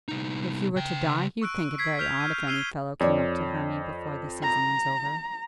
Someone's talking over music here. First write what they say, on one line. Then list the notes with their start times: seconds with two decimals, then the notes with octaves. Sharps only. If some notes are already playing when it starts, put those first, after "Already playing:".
If you were to die, you'd think it very odd if any fellow came up to Hermy before the season was over.
0.08 C2 D#4
0.76 C#3 G5
1.42 C#6 E6 F#6 D7
1.78 G#6 B6 C7
1.99 F6 G6 B6 F7
2.20 F6 D#7
2.47 E6 F6 C7 D#7 F7 G7
3.00 F2 C#5 D5
4.43 A#5